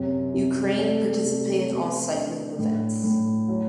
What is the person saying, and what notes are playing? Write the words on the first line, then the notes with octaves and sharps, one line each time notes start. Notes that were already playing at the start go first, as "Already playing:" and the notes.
Ukraine participated in all cycling events.
Already playing: F#2 C3 F#3
C3
A3 D5
C3
B3
D4
A2
A2
F#3